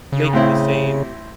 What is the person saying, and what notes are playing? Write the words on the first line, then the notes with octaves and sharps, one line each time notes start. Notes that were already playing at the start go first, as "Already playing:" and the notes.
making the same
C#3
A2 C4 E4